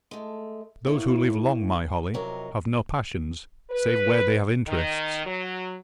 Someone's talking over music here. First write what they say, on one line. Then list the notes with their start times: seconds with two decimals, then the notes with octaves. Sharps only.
Those who live long, my Holly, have no passions, save where they have interests.
0.11 G#3 A3
0.87 A#3 E4 C#5
2.14 F2 C3 F#3 D#4 A#4
3.71 B4
4.68 D#3
5.26 F#3